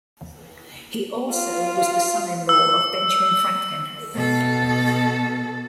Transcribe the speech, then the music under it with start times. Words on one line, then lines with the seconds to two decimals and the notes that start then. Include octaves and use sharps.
He also was the son-in-law of Benjamin Franklin.
1.32 F4
2.49 E6
4.14 B2 A4